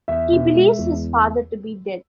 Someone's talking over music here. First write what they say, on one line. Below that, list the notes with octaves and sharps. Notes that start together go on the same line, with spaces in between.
He believes his father to be dead.
E2 E5
B2
G#3
E2